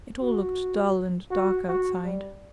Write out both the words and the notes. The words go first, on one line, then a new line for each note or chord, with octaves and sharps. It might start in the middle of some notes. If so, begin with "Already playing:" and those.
It all looked dull and dark outside.
F#4
F#4
F#4
G3